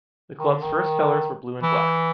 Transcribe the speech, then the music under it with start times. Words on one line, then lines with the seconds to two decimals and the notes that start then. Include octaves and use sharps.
The club's first colors were blue and black.
0.39 D#3
0.50 D3
0.62 D#3
1.63 E3